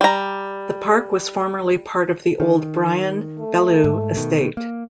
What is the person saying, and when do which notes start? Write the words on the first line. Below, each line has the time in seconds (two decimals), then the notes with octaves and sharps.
The park was formerly part of the old Bryan-Bellew Estate.
0.01 G3 A#5
2.40 D#3
3.39 A3
3.84 G#2
4.17 B2 D#3
4.57 A#3